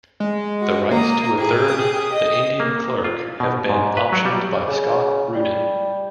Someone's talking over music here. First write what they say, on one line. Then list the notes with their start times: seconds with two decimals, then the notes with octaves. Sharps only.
The rights to a third, "The Indian Clerk", have been optioned by Scott Rudin.
0.20 G#3
0.61 F#4
0.91 A#3 A#5 D#6
1.38 A2 G4 G#4
1.68 D#6
2.12 D#5
2.60 A#3
3.04 F4
3.40 B2
3.69 G#2
3.97 B4
4.12 F#3
4.25 G3
4.68 C#3
5.35 G3